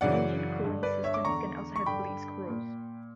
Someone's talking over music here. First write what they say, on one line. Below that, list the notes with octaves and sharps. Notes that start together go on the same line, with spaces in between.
Engine cooling systems can also have bleed screws.
F#2 C#3 E3 D5 F#5
G2 D3
B4 D5
C#5 E5
D6
E2 D3 A#5 C#6
C#6
G2 D3 G5 B5
A#2